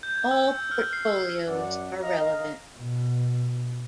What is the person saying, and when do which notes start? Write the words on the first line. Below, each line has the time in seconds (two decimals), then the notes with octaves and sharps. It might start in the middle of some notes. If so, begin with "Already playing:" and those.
All Portfolios are relevant.
0.03 G6
0.15 G#6
0.31 E6
0.71 F6
0.93 C7
1.07 E6
1.48 F#2 D5 F#5
2.02 D#5 F5 A#5
2.76 B2